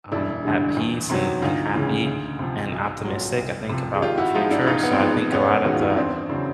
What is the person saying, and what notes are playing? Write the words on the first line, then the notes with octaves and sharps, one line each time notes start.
um, at peace and and happy, and optimistic, I think, about the future so, I think a lot of the,
E1 D4 E4
D2 D3 G3
E2
C3 D#3 F#3
D2 D#4 F4
C#3 E3 G#3
D2
C3 F3
B1
A#2 F#3
C2
C3 F3
G#4
G#1 F4 G4
E4 F#4
G#2 F3 G#3 D#4 F4
D4 E4
E4
A1 D#4 F4
B3
C4
G#2 F3 G#3 B3
E1 B3 C#4
D#2 D#3 G#3 F#4
F4
E4
D#4
E2 C4 D4
C#3 F#3 D4 E4